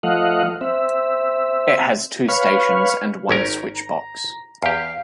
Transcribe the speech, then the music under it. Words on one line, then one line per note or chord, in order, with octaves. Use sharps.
It has two stations and one switchbox.
F3 A3 D#5 F5 F#5
C4 E5
B4 C#5 F5
G#1 C#4 D#4 A#4
A#5
E2 G4 F5